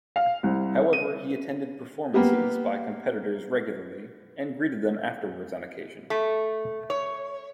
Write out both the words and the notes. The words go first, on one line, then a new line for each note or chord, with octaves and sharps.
However, he attended performances by competitors regularly and greeted them afterwards on occasion.
F5
C2
D#7
A#3 B3 G4
A3
C#5